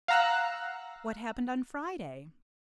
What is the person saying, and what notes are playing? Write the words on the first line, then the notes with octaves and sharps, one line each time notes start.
"What happened on Friday?"
F5 F#5 A#5 E6 F#6